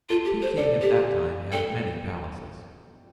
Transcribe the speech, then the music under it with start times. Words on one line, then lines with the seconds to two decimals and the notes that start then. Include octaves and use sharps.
Peking at that time had many palaces.
0.09 F4 A4
0.25 G4
0.42 C5
0.57 A4 D5
0.81 G4
1.52 A4 G5